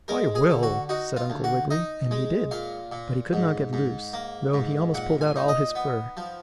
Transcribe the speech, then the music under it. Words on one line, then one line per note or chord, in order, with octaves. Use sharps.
"I will," said Uncle Wiggily, and he did, but he could not get loose, though he almost pulled out all his fur.
G#3 A#4
G#4
D3
F#4
D#4 F#4
F4
D2
F#4
D#4 D#5
G#3
A#2 F5
A#2
G#2
G#2
A#3
G#2
A#2 F#5
G#5
D#4
D#5
B3
F3